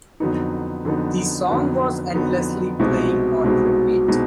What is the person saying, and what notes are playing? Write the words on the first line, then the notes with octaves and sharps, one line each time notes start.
The song was endlessly playing on repeat.
F2 D3 F#3 B3 D#4
F2 D3 F#3 B3 D#4
F2 D3 F#3 B3 D#4
F2 D3 F#3 B3 D#4
C2 B2 G#3 C4 D#4
C2 B2 G#3 C4 D#4
B2 G#3 C4 D#4